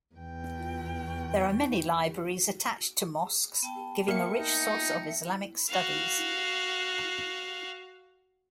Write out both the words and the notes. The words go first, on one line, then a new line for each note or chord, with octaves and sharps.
There are many libraries attached to mosques giving a rich source of Islamic studies.
E2 G5
B3 G5 A5
A#3 E5 C#7
D#4
F#4 F5